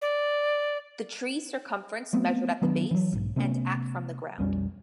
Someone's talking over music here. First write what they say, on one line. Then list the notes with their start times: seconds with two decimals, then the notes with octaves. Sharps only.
The tree's circumference measured at the base and at from the ground.
0.02 D5
2.13 F#3 A3 B3 C4
2.62 D#3 F#3 B3 D4
2.91 E3 F#3
3.13 B1 G#2
3.36 C3 A3 B3 C#4
4.38 B1 F2 G3 C#4